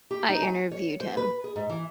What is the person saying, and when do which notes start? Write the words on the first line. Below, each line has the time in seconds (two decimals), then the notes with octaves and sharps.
I interviewed him.
0.11 G4
0.29 D#4
0.43 G#5
0.72 C#5
1.01 C5
1.17 B4
1.44 G#4
1.56 G#2
1.69 E3